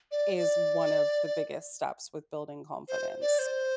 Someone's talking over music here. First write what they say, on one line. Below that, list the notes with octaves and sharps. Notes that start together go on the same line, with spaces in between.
is one of the biggest steps with building confidence.
D5
D5
C5
D5
C5